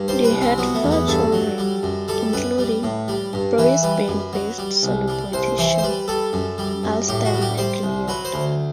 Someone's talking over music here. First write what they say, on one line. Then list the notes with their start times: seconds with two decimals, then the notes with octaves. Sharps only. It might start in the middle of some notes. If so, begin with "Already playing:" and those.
They had four children, including Brisbane-based celebrity chef, Alastair McLeod.
Already playing: G2
0.08 G3 C5
0.24 B4
0.33 C2
0.41 C4
0.58 F#3 B3
0.74 A3
0.83 E2
0.91 B3
1.08 G2 A4
1.33 F#3
1.58 G3
1.83 F#2
2.08 G3 A4
2.33 F#2 B4
2.58 G3
2.83 A2
3.08 G3
3.33 G2
3.58 E3 B4
3.83 G3 B4
4.08 F#2
4.33 F#3
4.58 G3
4.83 C2
5.08 G3
5.33 C2 C5
5.58 E3 C5
5.78 C5
5.83 G3 B4
6.08 G3 A4
6.33 F#2
6.58 G3
6.83 F#2
7.08 A2 G4
7.25 F#4
7.34 G3
7.42 G4
7.58 G3 C5
7.83 C2
8.08 F#3 B4
8.25 C5
8.34 D2